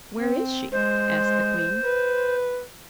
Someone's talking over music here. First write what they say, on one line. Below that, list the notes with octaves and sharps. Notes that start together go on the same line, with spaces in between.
"Where is she?" asked the queen.
C4
G#3 C5
B4